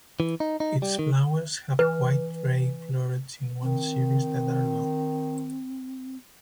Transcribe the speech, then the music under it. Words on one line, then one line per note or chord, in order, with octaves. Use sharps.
Its flowers have white ray florets in one series that are long.
E3
D#4
D#4
G3
D#3
E3 B4
D#3 C4